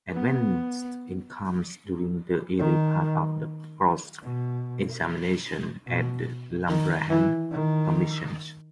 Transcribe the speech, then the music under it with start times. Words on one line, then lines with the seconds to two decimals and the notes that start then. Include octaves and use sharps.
Advani's innocence during the early part of his cross-examination at the Liberhan Commission.
0.13 B3
2.59 D#3
4.23 B2
5.87 B2
6.68 D#3
7.10 E3
7.52 D#3